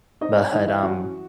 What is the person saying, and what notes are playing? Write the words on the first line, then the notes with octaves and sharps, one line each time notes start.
but, um,
C4 D#4 D#5
C#5
E3 D#4 D#5
E4 E5
C#4 F#4 F#5